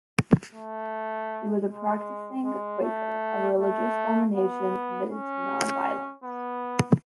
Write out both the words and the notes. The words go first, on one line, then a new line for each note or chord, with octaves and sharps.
She was a practising Quaker, a religious denomination committed to non-violence.
A3
G#3
G#3
A3
A3
B3
C#4
B3